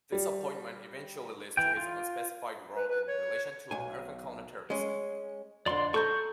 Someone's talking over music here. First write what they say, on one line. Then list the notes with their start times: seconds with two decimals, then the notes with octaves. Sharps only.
This appointment eventually leads to his unspecified role in relation to American counter-terrorism.
0.12 G3
1.57 E3 G5
1.77 F4
2.75 B4
2.88 B4
3.07 C#5
3.71 B1 G#5
4.70 G#3 C#4
5.66 F2 D3 D5 C6
5.94 A4 A#5 C#6 G6